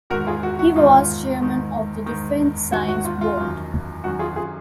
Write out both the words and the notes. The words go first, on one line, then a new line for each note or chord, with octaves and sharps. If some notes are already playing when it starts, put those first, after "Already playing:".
He was Chairman of the Defense Science Board.
G#2 D#3 F#4 A#4
F4 G#4
F#4
F#4
G#2 D#3 F4
G#2 D#3
G#2 D#3
G#2 D#3 F#4
F#4
F4
F4
F#2 D#3
F#2 D#3 F#4
F4 G#4
F4 G#4